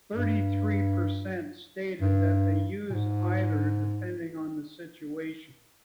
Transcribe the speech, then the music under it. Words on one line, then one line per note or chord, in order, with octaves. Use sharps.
Thirty-three percent stated that they use either depending on the situation.
G2
G2
A#2
G#2